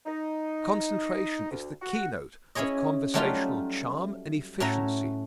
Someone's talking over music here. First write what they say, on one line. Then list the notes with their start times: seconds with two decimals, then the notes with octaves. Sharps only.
Concentration is the keynote of conversational charm and efficiency.
0.06 D#4
1.51 D2
1.82 F#4
2.55 C#4 E4 G#4 C#5 D#5
3.14 F#3 G3 A3 C#4 D#4 F4
4.60 A2 C#4 F#4 E5 A#5